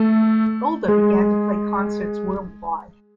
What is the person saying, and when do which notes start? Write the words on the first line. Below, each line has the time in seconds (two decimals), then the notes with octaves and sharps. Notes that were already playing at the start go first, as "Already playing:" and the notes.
Gulda began to play concerts worldwide.
Already playing: A3 A4
0.88 G#3 G#4